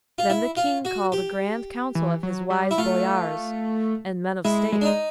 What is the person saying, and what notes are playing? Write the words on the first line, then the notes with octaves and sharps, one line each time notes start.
Then the King called a grand council of his wise boyars and men of state.
F4
E4
F4
F#4
G4
E3
F#3
G3
E4
A3 F4
G#3 E4
G#3
D4
D#4